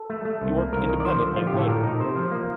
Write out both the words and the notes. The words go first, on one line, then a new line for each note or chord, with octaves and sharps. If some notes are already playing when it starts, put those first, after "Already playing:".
He worked independently later.
Already playing: A4
A3
A3
C2
A#3
C2 A#4
D#3
D5
F3 C5
D3
F3 F4
G4
A2
A4
A#2 A#4
D#4
C3 C5
F3
A#3